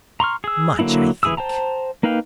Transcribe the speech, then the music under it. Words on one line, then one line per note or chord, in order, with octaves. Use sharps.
Much, I think.
A#5 C6 C#6 F6
G#4 E6
D3 F#3 A#3 D#4 E4
E3 E4 G#4 D#6 E6
C5 G5 A5 A#5
A#3 D#4 B4 F5 G5